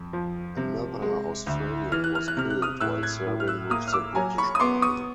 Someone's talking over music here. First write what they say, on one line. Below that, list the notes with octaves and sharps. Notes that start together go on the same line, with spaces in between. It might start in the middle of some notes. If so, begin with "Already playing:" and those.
Another Australian was killed while serving with the British Army.
Already playing: F2
F3
C3
G#3
D2
E3 F6
F#6
F6
F#6
C3 F6
F#6
D#6 F6
A2 E6 F#6
F#6 G#6
A2
F6
E6 F#6
A#3 D#6 F6
F6
D6 E6
F#3 G#5 A#5
B5 C#6
D#6
B3 C6 D6
C#6 D#6